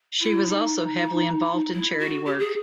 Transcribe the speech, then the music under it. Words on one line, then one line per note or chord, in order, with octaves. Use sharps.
She was also heavily involved in charity work.
E4
D#4
E4
F#4
G4
G#4